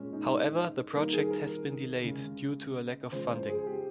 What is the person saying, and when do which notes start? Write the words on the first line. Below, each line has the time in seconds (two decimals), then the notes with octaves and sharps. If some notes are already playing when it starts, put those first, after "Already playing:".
However, the project has been delayed due to a lack of funding.
Already playing: A#2 G#3 C#4
0.13 D#4
0.94 D#3 G3 A#3 A#4
1.13 G#4
1.31 A#4
2.03 C#3 G#3
3.12 C#3 F3 G#3 C5
3.30 C5
3.48 G#4
3.67 G4